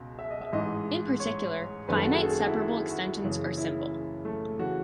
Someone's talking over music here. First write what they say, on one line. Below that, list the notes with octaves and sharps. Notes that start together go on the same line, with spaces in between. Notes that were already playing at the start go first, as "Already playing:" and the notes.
In particular, finite separable extensions are simple.
Already playing: C#2 B2
E5
D#5
E5
A1 G#2 E3 D#5
C#5
F#1 F#2 D#3 B4
A4
F#4
G#4
A4
G#4
F#4
E4
F#4
F#1 F#2 C#3 E3
E4
A3
C#3 E3 F#4